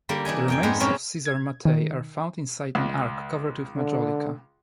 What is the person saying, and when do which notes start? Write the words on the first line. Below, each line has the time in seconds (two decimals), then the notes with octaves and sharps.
The remains of Cesare Mattei are found inside an ark covered with majolica.
0.09 D3 G3 A#3
0.25 E3 D4 D#4 G#5
0.48 F2 G5 G#5
0.63 G#2 G#3 B3 D#4
0.80 B2 F#3 G#3 C4 C#4
1.25 G#6
1.65 D#3
2.75 C#2
3.76 D3